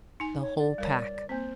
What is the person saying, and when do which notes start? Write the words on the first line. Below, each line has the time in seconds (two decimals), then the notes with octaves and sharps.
"The whole pack."
0.20 D#4 G#5
0.41 C#5
0.58 D5
0.78 G3 A#4 C#5
1.29 A#3 C4 C5